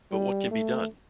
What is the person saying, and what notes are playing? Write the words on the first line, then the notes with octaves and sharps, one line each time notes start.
But what can be done?
G3
A3